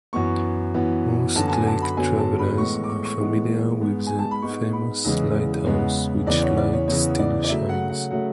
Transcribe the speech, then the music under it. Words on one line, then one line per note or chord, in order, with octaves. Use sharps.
Most lake travellers are familiar with the famous lighthouse which light still shines.
F#2 E3 B3 C#6
F#2 E3 B3
F#2 D3 F#3 B3 A5
A5
G#5
A5
B5
F#2 D3 F#3 B3 G#5
A5
B5
A2 E3 G#3 B3 C#6
C#6
D6
C#6
C#6
A2 E3 G#3 B3
G#2 G#3 B3
G#5
A5
B5
G#2 G#3 B3 C#6
B5
E2 C#3 E3 G#3 B3
E2 C#3 E3 G#3 B3
E2 C#3 E3 B3 D5
C#5
D5
C#5
E2 C#3 E3 B3 C#5
D5
D5
C#3 F#3 A3 E5
F#5
F#5
C#3 F#3 A3 F#5